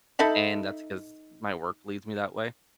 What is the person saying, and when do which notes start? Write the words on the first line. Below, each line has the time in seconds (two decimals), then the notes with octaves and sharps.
and that's because my work leaves me that way.
0.19 D#4 A4 E5 B5